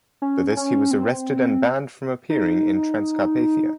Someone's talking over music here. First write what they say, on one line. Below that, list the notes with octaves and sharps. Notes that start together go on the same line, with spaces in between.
For this he was arrested and banned from appearing in Transcarpathia.
C#4
C#4
C4
D#4